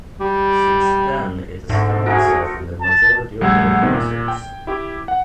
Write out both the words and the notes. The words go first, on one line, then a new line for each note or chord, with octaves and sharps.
Since then, it has found itself in the majority of their concerts.
G3
G#2 D3 A3 C4
A3 D#4 F#4 G#4 A#4
A5
A#1 G3 A3 F#5 E6 G#6
C3 D#3 B3
A#2
G5
E4 G4 D6
F#5